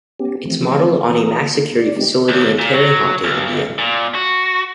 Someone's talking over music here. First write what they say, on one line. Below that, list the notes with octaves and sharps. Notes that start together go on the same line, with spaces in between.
It's modeled on a max security facility in Terre Haute, Indiana.
B3 C#4 G4
E3 F3 A3 C4
E3 B3 A#5 D#6
A#3
D5
G#3 B3 C4 D#4 G4
D#2
A#2
F#3
B1
A#2
F#4